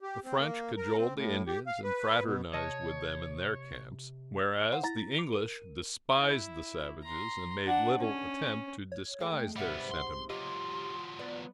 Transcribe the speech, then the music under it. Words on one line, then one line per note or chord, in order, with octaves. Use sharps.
The French cajoled the Indians, and fraternized with them in their camps; whereas, the English despised the savages, and made little attempt to disguise their sentiments.
G4
C4
A#3
A#4
C4
A2
G4
F5
B4
B2
C3 C#5 D#5 A5
C5 F5 F#5
E4 A#5 A6
D6 F7
A#4 D#7
E4
A#5 C6
D4 F#5
C#4
C#5
G#3 A3 G5
G#2 C3 G3 B3 E5 F#5
C6
F#3 F4 G4 D#5 C6
B3 D5